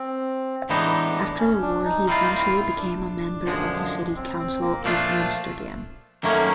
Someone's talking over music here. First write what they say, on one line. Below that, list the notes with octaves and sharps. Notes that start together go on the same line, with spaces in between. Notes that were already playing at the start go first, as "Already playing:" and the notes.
After the war he eventually became a member of the city council of Amsterdam.
Already playing: C4
A2 E3 G#3 B3 D4 D#4
C#4
D4
D#4
D#3 G3 C4 E4 F4
E4
E4
D4
F#2 D3 F3 G#3
C4
C4
A#3
A#2 F3 A3 D4 F4
F#2 D#3 F#3 A3 A#3 C#4